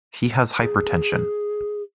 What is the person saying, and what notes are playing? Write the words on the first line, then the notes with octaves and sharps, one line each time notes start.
He has hypertension.
G#4